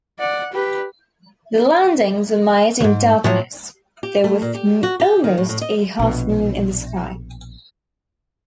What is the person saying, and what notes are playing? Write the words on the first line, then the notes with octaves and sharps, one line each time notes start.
The landings were made in darkness, though with almost a half-moon in the sky.
D5 F#5
G4 B4
D2 G#2
A2 F3 F#3
G4
A3
A#2
G4
F#4
G4
D#3
A2
A2
D#5
A#1 B2